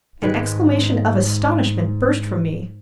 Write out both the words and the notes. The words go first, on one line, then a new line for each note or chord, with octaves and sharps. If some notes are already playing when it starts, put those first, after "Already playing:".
An exclamation of astonishment burst from me.
G#2 D#3 G#3 B4